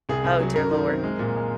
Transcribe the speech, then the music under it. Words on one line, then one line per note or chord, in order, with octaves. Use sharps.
Oh, dear Lord.
C2 G#4
C2
F#3
F#2 A#4
D#3
C4
G#3
A#2
G#3